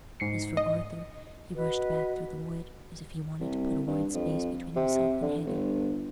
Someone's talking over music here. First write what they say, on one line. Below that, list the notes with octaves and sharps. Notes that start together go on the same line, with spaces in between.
As for Arthur, he rushed back through the wood, as if he wanted to put a wide space between himself and Hetty.
G#2 C7 C#7
D#5
F#4 B4 D#5
C2
G2
F2
C3
D3
G1